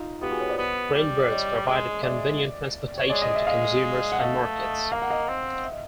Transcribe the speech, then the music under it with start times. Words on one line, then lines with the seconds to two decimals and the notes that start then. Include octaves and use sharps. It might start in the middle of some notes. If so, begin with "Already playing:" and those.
Railroads provided convenient transportation to consumers and markets.
Already playing: D#4 F4
0.22 B3 F4 G4
0.31 F#4 G#4
0.40 B4 C#5
0.49 C5 D5
0.58 B3
0.94 G3
1.30 C#5 D#5
1.67 G#3
2.02 G#3 D5 E5
2.98 C#5
3.09 G#3 D5
3.22 D#5
3.35 E5
3.47 G#3 D#5 F5
4.12 F#5
4.19 A3 D#5 F5
4.92 A#3 F5
5.02 F#5
5.10 D#5 F5
5.28 C4
5.64 E5
5.72 D#5